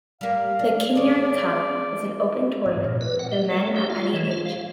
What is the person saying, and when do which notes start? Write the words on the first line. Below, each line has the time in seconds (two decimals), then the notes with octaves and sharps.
The Kinnaird Cup is an open tournament for men of any age.
0.21 G3 A#3 F5
0.59 D4
0.95 E2 G#4 C#5 D5
2.66 G#2
2.85 A#2
3.01 B4
3.19 F#5
3.32 G4
3.50 A3
3.76 G4
3.90 F4
4.13 E3
4.31 F4
4.45 F5